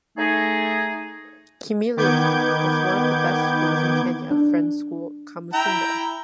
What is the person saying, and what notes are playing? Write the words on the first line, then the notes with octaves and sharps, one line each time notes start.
Kimilili has one of the best schools in Kenya, Friends School Kamusinga.
A3 D#4 G#4
D#3 B3 D6 G6 G#6
D4
E4 G5 A#5